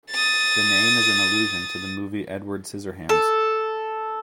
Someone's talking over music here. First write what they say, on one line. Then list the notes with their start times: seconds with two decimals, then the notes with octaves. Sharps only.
The name is an allusion to the movie "Edward Scissorhands".
0.11 D#6 A6
3.09 A4